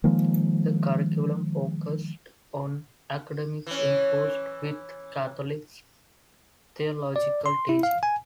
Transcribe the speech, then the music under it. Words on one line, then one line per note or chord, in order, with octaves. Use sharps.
The curriculum focused on academics infused with Catholic theological teaching.
D#3 F3 G#3 A#3
E3 C#4
D5
C6
E4
F5
G#5